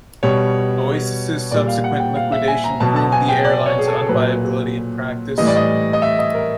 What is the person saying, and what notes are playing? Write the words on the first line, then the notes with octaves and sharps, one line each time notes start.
Oasis's subsequent liquidation proved the airline's unviability in practice.
B2 G3 C#5
A#2 G3 D5
F5
F#5
G5
F5
E5
G#5
A#5
B2 F#3 A5
A5
G#5
G5
D5
C#5
G#4
A4
A#2 F#3 B4
A2 E3 G3 D#5
D5
D#5
D#5
E5
D#5
A#4